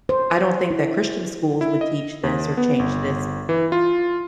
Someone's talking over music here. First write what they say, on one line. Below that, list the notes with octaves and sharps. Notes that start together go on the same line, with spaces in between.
I don't think that Christian schools would teach this or change this,
C5
E4
E4
D#5
D#2
B3
G1
E3
F4